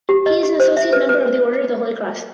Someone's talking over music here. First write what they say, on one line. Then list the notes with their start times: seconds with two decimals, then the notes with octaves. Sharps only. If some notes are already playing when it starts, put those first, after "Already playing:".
He is an associate member of the Order of the Holy Cross.
0.09 G4
0.26 D#5
0.43 G4
0.60 C5
0.77 E5
0.93 B4
1.09 B4